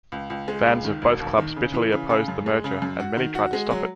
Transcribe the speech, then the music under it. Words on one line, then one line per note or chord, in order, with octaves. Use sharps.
Fans of both clubs bitterly opposed the merger and many tried to stop it.
C#2
C#2
G#3
C#2
D#3
E1
D#2
D#3
C#3
E3
C#3
C#3
F#2
G#3
C#3
F#2
F#4
D#3
F#4
G#3
F#3